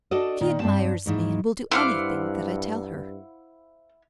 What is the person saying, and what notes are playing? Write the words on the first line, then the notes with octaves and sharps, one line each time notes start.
She admires me and will do anything that I tell her.
D4 F#4 A4 D5 D#5
A#2 D#3
G2 C4 A5
D#2 G#2 E3
G2 E4 C5 F5 F#5 D6 F6